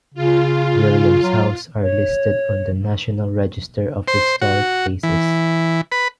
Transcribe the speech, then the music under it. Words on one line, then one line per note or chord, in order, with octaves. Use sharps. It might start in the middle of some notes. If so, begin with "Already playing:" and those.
Williams House are listed on the National Register of Historic Places.
C#3 F4
F#3
C#5
C5
F#4
E3
B4